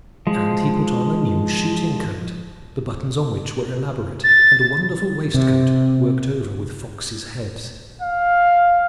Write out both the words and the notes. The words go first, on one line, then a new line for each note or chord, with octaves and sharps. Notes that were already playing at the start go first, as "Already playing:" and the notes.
And he put on a new shooting-coat, the buttons on which were elaborate, and a wonderful waistcoat worked over with foxes' heads.
F3 G#3
A6
C3
F5